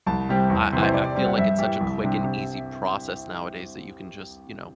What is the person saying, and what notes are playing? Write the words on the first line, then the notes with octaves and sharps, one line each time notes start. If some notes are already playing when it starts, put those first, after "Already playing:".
I I I feel like it's such a quick and easy process nowadays that you can just, you know,
C2 A5
C3 G3 C4
E2
C3 E3
C5
C3 D5
D5
G3 C4 D5
F#5
G2 E5
E3 G3
C2
C3 G3 D4
C3